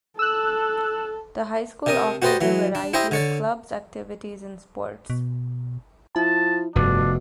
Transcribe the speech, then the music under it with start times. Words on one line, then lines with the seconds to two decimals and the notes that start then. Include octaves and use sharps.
The high school offers a variety of clubs, activities and sports.
0.19 A4 E6 F#6
1.86 C3 A#4 D#6
2.22 F#4 G4 B4 C5 D5 D#5
2.41 E3 F#3
2.75 D4
2.93 E4 G4 C5 D#5 E5 G5
3.11 D3 C#5 D5
5.10 B2
6.16 F3 E4 A5
6.76 F1 G2 B2 D4